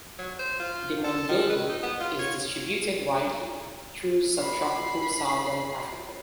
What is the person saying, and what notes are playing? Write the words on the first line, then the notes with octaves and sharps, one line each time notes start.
The mongongo is distributed widely through subtropical southern Africa.
F#3
C5
F4
A4
D#3
B4
D#4
B3
F4
C#5
B5 C7